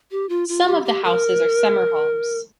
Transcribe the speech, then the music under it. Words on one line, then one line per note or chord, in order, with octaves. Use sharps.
Some of the houses are summer homes.
G4
F4
F4
G4
G4
A#4